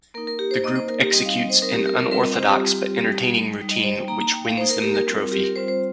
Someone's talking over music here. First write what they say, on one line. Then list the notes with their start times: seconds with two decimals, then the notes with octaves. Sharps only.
The group executes an unorthodox but entertaining routine which wins them the trophy.
0.14 A#3 D#4 A#4
0.27 A#4
0.39 G4
0.51 C5
0.64 A#3 D#4 D#5
0.76 C5
0.88 A#4
1.01 G4
1.13 G3 C4 D#4 D#5
1.25 F5
1.37 D#5
1.50 C5
1.62 G3 C4 D#4 A#4
1.74 G4
1.87 A#4
1.99 A#4
2.11 G3 C4 F4 A#4
2.24 D#5
2.36 C5
2.48 G4
2.61 G3 C4 F4
3.10 G3 D#4
3.59 G3 D#4
3.71 D#5
3.83 C5
3.96 G5
4.08 A#3 D#4 A#5
4.20 A#5
4.33 G5
4.45 F5
4.58 A#3 D#4 C5
4.70 A#4
4.82 G4
4.94 A#4
5.07 G3 C4 F4
5.32 G4
5.44 A#4
5.55 G3 C4 F4 C5
5.68 C5